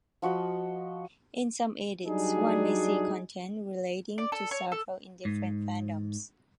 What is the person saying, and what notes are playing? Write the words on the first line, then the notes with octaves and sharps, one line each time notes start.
In some edits, one may see content relating to several different fandoms.
F3 F#4 D#5 B5
F#3 G3 D4 D#4 F#4 G#4
D5
A4
C#5
A4
G#2